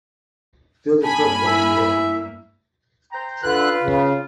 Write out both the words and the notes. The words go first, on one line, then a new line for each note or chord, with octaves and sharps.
Fielder Cook was the director.
G2 A#3 G#5 A5 B5
E4 E5
C5 G5 A#5
D3 F4 B4 F#6
C#3